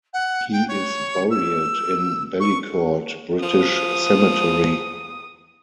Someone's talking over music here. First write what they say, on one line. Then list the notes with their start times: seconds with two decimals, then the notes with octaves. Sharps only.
He is buried in Bellicourt British Cemetery.
0.13 F#5
0.52 G5
0.68 C#5
1.30 E6
2.40 C#6
3.43 F3 D#6